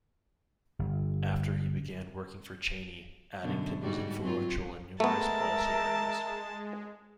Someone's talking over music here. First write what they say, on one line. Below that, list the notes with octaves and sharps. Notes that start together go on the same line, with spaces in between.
After he began working for Cheney, Addington was influential in numerous policy areas.
G1
F#2 B2 D3
G#2 G3 F#4
F#3 C4 F4
G#3 A3 B3 A#4 E5 A5 A#5